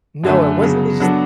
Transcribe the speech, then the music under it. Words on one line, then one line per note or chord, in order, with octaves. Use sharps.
No, it wasn't the just
F#2 D3 A3
C#3 F#3 B3
F#3 B3 D4 A4